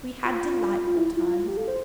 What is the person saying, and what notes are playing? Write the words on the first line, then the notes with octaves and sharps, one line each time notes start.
We had delightful times.
F4
F4
E4
F4
F4
G4
A4
C5